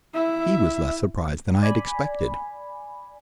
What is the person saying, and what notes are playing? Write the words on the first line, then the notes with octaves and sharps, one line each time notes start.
He was less surprised than I had expected.
E4 E5
D5 G#5 B5